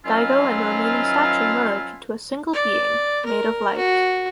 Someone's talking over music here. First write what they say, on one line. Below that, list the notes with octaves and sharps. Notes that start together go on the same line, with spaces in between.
Daigo and the remaining statue merge into a single being, made of light.
D#3 F3 F#3 C#4 E4 F4
D5
A#4
F#4